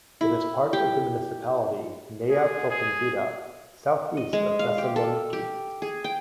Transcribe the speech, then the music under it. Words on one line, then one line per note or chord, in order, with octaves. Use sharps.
It is part of the municipality Nea Propontida, southeast of Thessaloniki.
E4
G4
G#4
G#4
D#5
G#3
F5
G4
A4
G4
G#4
G5